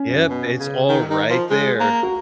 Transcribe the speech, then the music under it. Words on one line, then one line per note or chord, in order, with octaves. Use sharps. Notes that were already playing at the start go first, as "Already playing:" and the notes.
Yep. It's all right there.
Already playing: C#4
F#2
B2
C#3
D#3
D#3
F3
G#3
A#3
F#4